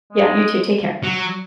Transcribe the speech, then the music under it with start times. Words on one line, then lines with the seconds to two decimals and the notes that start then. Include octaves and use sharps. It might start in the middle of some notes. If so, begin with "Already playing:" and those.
Yeah, you too. Take care.
0.13 G#3
1.04 F#3